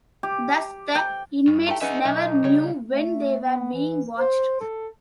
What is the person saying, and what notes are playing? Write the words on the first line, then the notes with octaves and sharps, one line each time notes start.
Thus the inmates never knew when they were being watched.
G4
G5
G2
A3 D#4 E4 G4
C#4 D#4 G#4 B4 E5 F#5
B1 E5
C#3 G3 C#5
A3
B3
E3
C5
A4